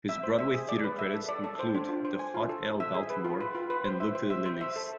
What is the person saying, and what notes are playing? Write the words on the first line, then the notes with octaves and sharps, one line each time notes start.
His Broadway theatre credits include "The Hot L Baltimore" and "Look to the Lilies".
E5
C5
E5
G#4
D5
B4
E5
A4
D5
A4
C5
D4
F4
C5
G#5
F4
A4
C5
E5
G#4
B4
F4
B4
F4
B4
C5
E5
C5
E5
C5
E5
A4